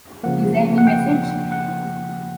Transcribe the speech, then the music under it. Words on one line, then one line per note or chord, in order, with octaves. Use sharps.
Is there any message?
C#3 F3 A#3 F#5
F#5
G5
F#5